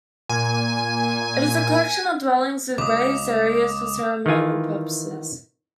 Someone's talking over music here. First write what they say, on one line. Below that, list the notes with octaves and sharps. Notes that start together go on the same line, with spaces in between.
It is a collection of dwellings with raised areas for ceremonial purposes.
A#2 G#5
C#2 D6 D#6
D#3 E3 F4 G#5